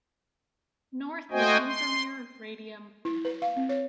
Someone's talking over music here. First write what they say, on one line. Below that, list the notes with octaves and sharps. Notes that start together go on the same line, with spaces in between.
North is Invermere, Radium, and Golden.
A3 F#4 C5 D#5 G5 G#5
C6
E4
B4
F5
C4
C#5